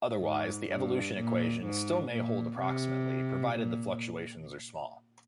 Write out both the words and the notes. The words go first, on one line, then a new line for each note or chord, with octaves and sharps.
Otherwise, the evolution equations still may hold approximately, provided fluctuations are small.
G#2
G2
A#2
G#2
A#2
C3
A#2